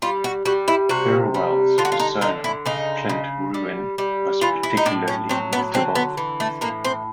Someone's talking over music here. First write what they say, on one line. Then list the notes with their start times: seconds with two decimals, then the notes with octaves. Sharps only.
Thirlwell's persona of Clint Ruin was particularly notable.
0.02 G3 F4
0.24 F#4
0.45 G3 F#4
0.68 E4
0.89 C3 F#4
1.34 G3
1.78 D3 F4
1.85 F#4
1.92 F4
2.00 D#4
2.21 D3 D#4
2.44 E4
2.66 C#3 D#4
3.09 C#3
3.54 G3
3.98 G3
4.41 E3 F4
4.63 E4
4.77 D#4
4.86 A2 D4
5.08 C#4
5.29 F#3 C4
5.53 B3
5.74 D3 C4
5.95 B3
6.17 E3
6.40 A3
6.61 A2 A#3
6.85 C4